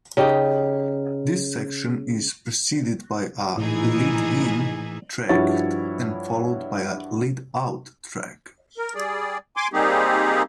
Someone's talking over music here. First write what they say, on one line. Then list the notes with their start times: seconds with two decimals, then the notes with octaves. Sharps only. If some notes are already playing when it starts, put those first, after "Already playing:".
This section is preceded by a "lead-in" track and followed by a "lead-out" track.
0.17 C#3 D#4 G4
3.57 A#1 A2 E3 D#4 E4 G#4
5.29 G2 F3 E4 F#4 C#5 A6
8.78 A#4
8.95 G3 G#4 D5
9.57 G#5 C6 D6
9.73 G3 A#3 C4 D#4 G4 G#4